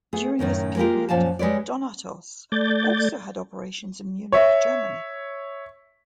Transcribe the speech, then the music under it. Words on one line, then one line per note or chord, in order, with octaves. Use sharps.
During this period Donatos also had operations in Munich, Germany.
A3 B3 G#4
F#2 A2 D#3 C#4
G#3 A#3 F4 G4 A#4
F#2 A#2 F3 F5 G#5 A5
G3 G#3 B4 C#5 D5
A3 D5 G6 A6
C#5 E5